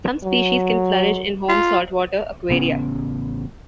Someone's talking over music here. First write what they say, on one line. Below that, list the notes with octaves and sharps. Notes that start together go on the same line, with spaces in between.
Some species can flourish in home saltwater aquaria.
F#3
F4
A1 C#3 B3 C#4